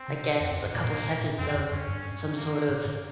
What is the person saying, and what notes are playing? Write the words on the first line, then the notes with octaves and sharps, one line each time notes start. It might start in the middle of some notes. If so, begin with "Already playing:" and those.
I guess, a couple seconds of some sort of
Already playing: C4
C#3
C3
F2
F2
G2
A#2 A#3
A#2
A#2
A#2
A#2
F2 C4
F2
G2 C#4
G2
A#3
G#2
G#2